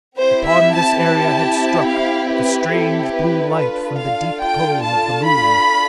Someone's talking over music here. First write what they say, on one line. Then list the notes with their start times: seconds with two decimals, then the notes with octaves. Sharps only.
Upon this area had struck the strange blue light from the deep Cone of the Moon.
0.17 C4 E4 G4 C5
0.45 E5
0.74 A5
1.02 A5
1.87 F5
2.29 B4
2.71 A4
3.13 B4
3.55 D4 F4 A4 B4
3.98 F5
4.40 G5
4.82 A5
5.25 B5